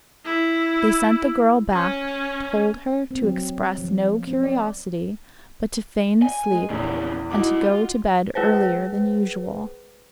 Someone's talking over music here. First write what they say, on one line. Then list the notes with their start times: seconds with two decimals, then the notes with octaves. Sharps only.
They sent the girl back, told her to express no curiosity, but to feign sleep, and to go to bed earlier than usual.
0.25 E4
1.73 C#4
3.11 C4
3.23 F#3
3.78 F3
4.27 C4
4.43 D5
6.22 G#5
6.52 G#3
6.70 A#1 E2 A#2 C#3
7.31 C2 D#4 E4 F#4 D6
7.62 F4
8.35 G#3 G#4 B4 C5